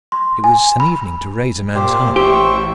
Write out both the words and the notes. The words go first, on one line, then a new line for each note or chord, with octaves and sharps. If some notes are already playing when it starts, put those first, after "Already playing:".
It was an evening to raise a man's heart.
C6
G#5
B5
A#2 G4 C5
A1 G4 C5 E5 C#6